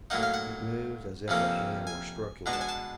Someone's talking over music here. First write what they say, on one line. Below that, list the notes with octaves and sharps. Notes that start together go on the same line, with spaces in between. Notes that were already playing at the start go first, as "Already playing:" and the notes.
It moved as if a hand were stroking it.
A2 F#3 A#3 D#4 F#5
F5
F#5
F2 C3 F3 A#3 C#4
G#5
B2 G#3 B3 D4 A#5
A5
G#5
A5